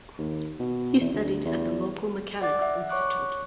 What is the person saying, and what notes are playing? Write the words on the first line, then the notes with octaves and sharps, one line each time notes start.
He studied at the local Mechanics Institute.
D#2
B2
E2
D2
E2
D5 F#5 D6 A6
E5 F#5
C#5 C#6 D6 F#6